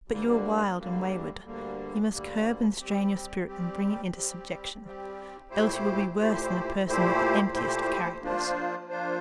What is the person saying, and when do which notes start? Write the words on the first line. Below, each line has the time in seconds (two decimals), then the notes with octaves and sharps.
But you are wild and wayward, you must curb and strain your spirit and bring it into subjection, else you will be worse than a person with the emptiest of characters.
0.08 D2 D3 G3 A#3
0.76 D2 D3 G3 A#3
1.44 D2 D3 G3 A#3
2.12 D2 D3 G3 A#3
2.79 G3 C4 G4
3.47 G3 C4 G4
4.15 G3 C4 G4
4.82 G3 C4 G4
5.50 A#2 A3 E4 G4 C5
6.18 A#2 A3 E4 G4 C5
6.86 A#2 A3 E4 G4 C5
7.54 A#2 A3 E4 G4 C5
8.21 F3 A#3 D4 F4 C5
8.89 F3 A#3 D4 F4 C5